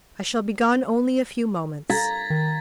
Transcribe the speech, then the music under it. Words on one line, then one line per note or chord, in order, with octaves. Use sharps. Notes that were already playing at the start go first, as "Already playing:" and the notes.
"I shall be gone only a few moments."
A#5 G#6 A6 B6
D#3